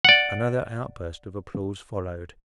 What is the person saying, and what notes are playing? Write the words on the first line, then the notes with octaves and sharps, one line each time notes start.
Another outburst of applause followed.
D5 F#5